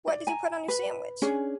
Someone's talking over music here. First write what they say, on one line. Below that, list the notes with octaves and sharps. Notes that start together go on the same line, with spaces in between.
What did you put on your sandwich?
D5
G#5 A#5
B4
C#4 D4 G#4